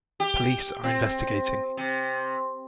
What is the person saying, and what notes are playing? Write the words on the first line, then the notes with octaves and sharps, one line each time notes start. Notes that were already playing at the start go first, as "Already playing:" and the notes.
Police are investigating.
G4
C4
C3